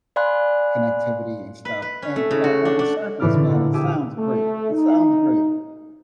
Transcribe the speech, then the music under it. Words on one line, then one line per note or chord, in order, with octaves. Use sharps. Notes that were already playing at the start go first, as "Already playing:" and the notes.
connectivity and stuff," and, you know, on the surface, man, it sounds great, it sounds great,
D5 F5 G#5 B5 C6 F#6
B4
B4
C#4
A3
C#3
F#4
D4
D4
A2 C#3 E3 E4 D5 F6
D3
A#2 F#5
G4 G#4 E5
A3
D#4